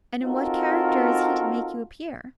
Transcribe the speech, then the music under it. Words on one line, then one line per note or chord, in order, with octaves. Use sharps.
'And in what character is he to make you appear?'
C4 D#4 F4 F#4 A4 A#4